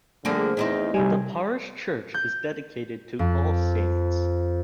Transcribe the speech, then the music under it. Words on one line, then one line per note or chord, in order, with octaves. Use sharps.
The parish church is dedicated to All Saints.
D3 F3 G3 A3 A#3 G#4
E2 C4 D#4 E4
B1 C3 G3 G#5
G6
F2